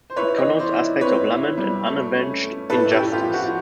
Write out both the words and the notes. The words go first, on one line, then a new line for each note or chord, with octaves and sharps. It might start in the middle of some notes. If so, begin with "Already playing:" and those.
It connotes aspects of lament and unavenged injustice.
C5
E4 B4 C#5
C#5 D#5
E3
C5 D5
E4
C4 B4 C#5
E4
G3
A3
C#4
A3
A2 A4 B4
G4 A4
C#4
F4 G4
F3
F#4